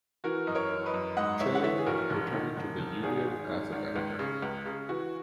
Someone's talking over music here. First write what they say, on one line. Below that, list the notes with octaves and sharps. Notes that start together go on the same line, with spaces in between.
Cheney returned to the "Union" as an editor.
E3 F#4 A#4
F#2 D#5
A#4 C#5
E3
B4 D#5
F#2
G#2 D#5 F#5
E3 C#5 E5
F#5
E3 C#5 E5
G#4
A#1 F#4 A#4
E1
D#3
E1
E1
G#1 G#4
G#1
G#1
G#1
C#2
C#3
C#2
C#3
E3 F#4